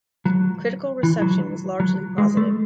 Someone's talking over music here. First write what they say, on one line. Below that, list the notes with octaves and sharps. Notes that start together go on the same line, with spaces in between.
Critical reception was largely positive.
F#3
E3
F#3
F#3
G#3
A3